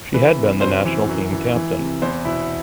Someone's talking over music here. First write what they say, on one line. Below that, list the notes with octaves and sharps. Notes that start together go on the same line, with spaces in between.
She had been the national team captain.
E3 B4
C3
F#2 C5
E3
F#2
E3
E3
C3
E2 C5
B2 E4